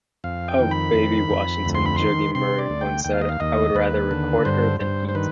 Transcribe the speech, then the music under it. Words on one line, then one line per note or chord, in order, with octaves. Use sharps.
Of Baby Washington, Juggy Murray once said, I would rather record her than eat.
F2 F5
G5
D#3
B5
F2
F2
D2
C6
B5
D#3 C6
C3 C6
D5
D2
G5
D#2 G5
F5
D#5
F5
D#2 D#5
D#2 B4
D3
G2 C5
G2 C5
C5
D#3 B4